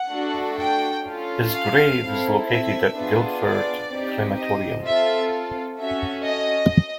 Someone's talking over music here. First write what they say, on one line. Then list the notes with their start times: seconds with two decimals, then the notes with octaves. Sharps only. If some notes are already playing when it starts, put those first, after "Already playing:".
His grave is located at Guildford Crematorium.
Already playing: F#5
0.11 A3 D4 F#4 A4
0.58 G5
1.06 C#4 F4 A4
1.53 F5
2.01 C4 E4 A4
2.48 E5
2.95 B3 D4 F4 G#4
3.42 D5
3.90 C4 D#4 G4
4.37 D#5
4.85 C4 F4 A4 E5
5.79 C#4 F#4 A4 E5
6.26 D#5